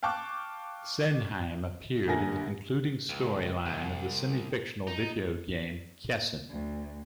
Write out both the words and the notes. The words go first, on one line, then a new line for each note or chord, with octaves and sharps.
Senhime appeared in the concluding storyline of the semi-fictional video game Kessen.
F5 G5 A5 C#6 D6 F#6
A#1 D3 G3 A#4 G#5 A#6
C#2
C2
D#4
D2